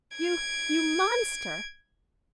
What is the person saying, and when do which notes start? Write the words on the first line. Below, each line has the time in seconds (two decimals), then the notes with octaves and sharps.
"You--you monster!"
0.17 G#6 D7